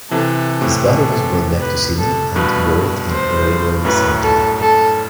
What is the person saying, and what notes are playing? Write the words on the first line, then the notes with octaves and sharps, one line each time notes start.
His body was brought back to Sydney and buried in Waverley Cemetery.
C3 E3 A4
A2 C3
A4
B4
A4
G2 B2 B4
C5
F#2 A2 B4
A4
A4